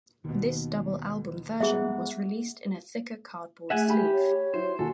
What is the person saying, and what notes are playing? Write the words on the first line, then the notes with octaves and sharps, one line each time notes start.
This double album version was released in a thicker cardboard sleeve.
D#2 B2 D#3
G#2 G3 B3 G#4 E5 F#5
A3 G#4 E5 F#5 G#5
G4 E5 G#5 B5
C#5
F#3 E4 C5
D#2 F#4 A4 G#5